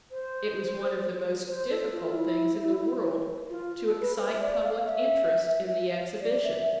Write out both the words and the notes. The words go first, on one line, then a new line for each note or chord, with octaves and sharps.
It was one of the most difficult things in the world to excite public interest in the exhibition.
C5
C5
A4
F4
F4
E4
F4
A4
B4
C5
E5
D5
F5
E5
D5
E5